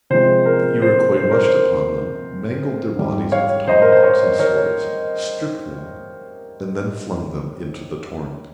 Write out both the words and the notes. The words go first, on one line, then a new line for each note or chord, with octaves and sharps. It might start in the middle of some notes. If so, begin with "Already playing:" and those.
The Iroquois rushed upon them, mangled their bodies with tomahawks and swords, stripped them, and then flung them into the torrent.
C3 F3 G#3 C5
A#4
C5
C5
A#4
C5
G#2 G3
C#5 F5
C5 D#5
A#4
C5
A#4 C#5
A#4 C#5